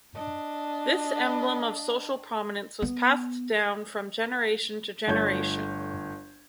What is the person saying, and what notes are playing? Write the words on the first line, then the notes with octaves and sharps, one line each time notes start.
This emblem of social prominence was passed down from generation to generation.
D4 D#5
B3
G1 A3 C#5 G6 G#6